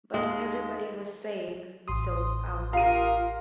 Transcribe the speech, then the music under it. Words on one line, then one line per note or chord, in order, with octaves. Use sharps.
But everybody was saying we sold out.
D#2 G#3
A1 C6 D#6
F4 G4 A#4 F5 D#7